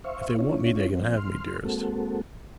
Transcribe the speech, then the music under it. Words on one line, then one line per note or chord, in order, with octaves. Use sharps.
'If they want me they can have me, dearest.
C5 E5 F5 C#6
C#4 D4 E4 F4 C#5
F3 C4
C6 F6
G#3 A#3 C4 F#4 A4